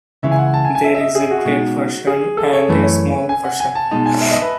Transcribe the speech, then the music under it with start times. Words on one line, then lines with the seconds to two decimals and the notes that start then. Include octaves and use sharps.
There is a great version and a small version.
0.23 C#2 C#3 E3 E5
0.31 G#5
0.39 F#5
0.54 A5
0.65 G#5
0.75 G#5
0.84 E5
0.95 E5
1.00 D#5
1.15 G#4
1.31 F#4
1.45 B2 G#3 D#4
2.07 G#4
2.37 A4
2.53 C#5
2.68 F#2 E3 A3 B4
2.83 C#5
3.29 G#5
3.44 F#5
3.60 G#5
3.75 A5
3.91 B2 G#3 D#4 A5
4.06 G#5
4.21 E5
4.31 D#5
4.42 B4